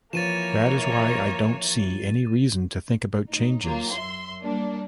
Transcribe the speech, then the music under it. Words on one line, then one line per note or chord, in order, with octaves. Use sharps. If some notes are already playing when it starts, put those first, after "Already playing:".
That is why I don't see any reason to think about changes.
E3 F3 A#3 B4 C#5 A6 D#7 E7
A2 D#4
F#3 A#3 F4
F#2 E5 C6
G3 A#3 D4